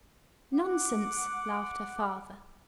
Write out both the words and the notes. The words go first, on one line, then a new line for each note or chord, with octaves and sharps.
"Nonsense," laughed her father.
F#5 D6